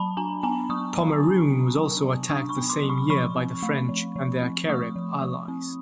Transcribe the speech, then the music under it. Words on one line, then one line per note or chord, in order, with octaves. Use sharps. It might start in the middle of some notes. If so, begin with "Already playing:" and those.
Pomeroon was also attacked the same year by the French and their Carib allies.
Already playing: F#3 A5 B5
D4 G#5 A#5
B3 G#5 A#5
F#3 C#6 D#6
F#3
D4
B3
F#3
F#3
D4 C#6 D#6
B5 C#6
B3
C6 D6
F#3
B5 C#6
F3 B5 C#6
C4
A3
F3
F3
C4
A3 C#6 D#6
F3
F3
C4